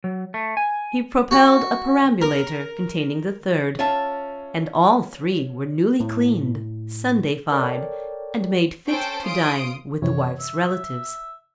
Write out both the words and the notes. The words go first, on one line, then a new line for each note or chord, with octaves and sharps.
He propelled a perambulator containing the third--and all three were newly cleaned, Sundayfied, and made fit to dine with the wife's relatives.
F#3
A3
G#5
F#4
A#4
C#4 F4 E5 A5
A2
A4 A#4 C#5 D5 G5
C#4 A4 C5 G5 A5 D7
F4 C6 D#6 D7
F#2 C3 E3 C#5
E5